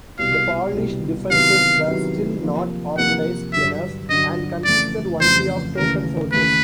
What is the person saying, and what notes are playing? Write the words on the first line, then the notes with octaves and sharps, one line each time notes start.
The Polish defences were still not organised enough and consisted only of token forces.
C2 B2 G3 F5
C2 B2 G3
C3 D#3 F#3 B3 E4 F5
C3 D#3 F#3 B3 E4
C3 F3 A#3
C3 F3 A#3 F#5
G2 D3 F#3 E5
G2 D3 F#3 D#5
F2 C#3 E3 A3 D5
F2 C#3 E3 A3 C5
D#2 C#3 E3 A3 A#4
D#2 C#3 E3 A3 B4